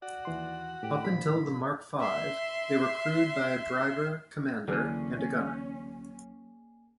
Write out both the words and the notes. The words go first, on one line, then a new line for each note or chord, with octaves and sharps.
Up until the Mark Five, they were crewed by a driver-commander and gunner.
F#4 D5
D#2 E3 C6
A2 G4
A#1 B5
E5 C6
C#2 D3 E3 F#3 A#3 C#4 G#4 D5